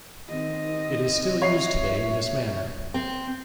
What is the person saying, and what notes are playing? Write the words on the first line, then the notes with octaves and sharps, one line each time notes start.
It is still used today in this manner.
D#3 C4 D#5
C#5 E5 C7
C4